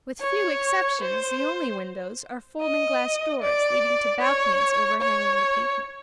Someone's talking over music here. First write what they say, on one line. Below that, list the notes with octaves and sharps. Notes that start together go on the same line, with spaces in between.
With few exceptions, the only windows are folding glass doors leading to balconies overhanging the pavement.
C#5
C5
D#5
D5
C#5
C#5